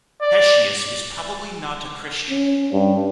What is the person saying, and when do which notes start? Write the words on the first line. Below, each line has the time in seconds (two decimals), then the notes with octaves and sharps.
Hesychius was probably not a Christian.
0.22 D5
2.30 C#4
2.72 G2